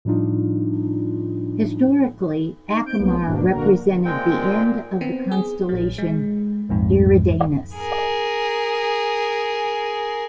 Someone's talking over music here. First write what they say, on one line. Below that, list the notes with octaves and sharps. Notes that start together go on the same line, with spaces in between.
Historically, Acamar represented the end of the constellation Eridanus.
A2 F3 G3 D4 D#4 F4
D#4
C4 G6 D7
B1 F#3 G#3 A#3 B3
G#2 B2 A#3 D4
A#1 D3 A#3 F#4 A#4
A#2 G#3 C4 G5
B3 C4
G#4
A#1 F#3
G#3
A#1 F2 G#2
G#4 A#4